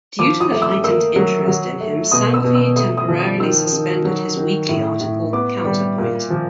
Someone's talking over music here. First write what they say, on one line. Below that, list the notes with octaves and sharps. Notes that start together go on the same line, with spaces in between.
Due to the heightened interest in him Sanghvi temporarily suspended his weekly article "Counterpoint".
F3 D6
D#6
A3
E6
A#3 E6
F#3
F#3
A3
B2 D#6
E6
B2
E6
A3 D#6
D#6
F3
D#6
D#3 E6
D#3
F#3
D#3
A2
A2
B3 D6
G3
A#2
F3